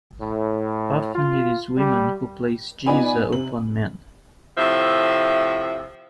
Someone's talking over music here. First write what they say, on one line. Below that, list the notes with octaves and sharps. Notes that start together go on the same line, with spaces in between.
Often it is women who place "geasa" upon men.
A2
F4
G3
B3 D#4 F4 D5 G#5 B5
C3 F#7
A2 C3 F3 E5